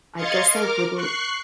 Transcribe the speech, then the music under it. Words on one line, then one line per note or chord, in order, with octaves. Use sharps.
I guess I wouldn't
D#5 F5 C6 G#6 A6 C#7
A#4 D6 F6
C#6 F#6 C7